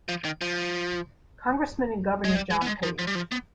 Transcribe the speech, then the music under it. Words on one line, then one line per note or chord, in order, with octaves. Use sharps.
Congressman and Governor John Page.
F3
D#3
F3
G#3
G3
G#3
B3
G#3
F3
F3
G3
F3
B3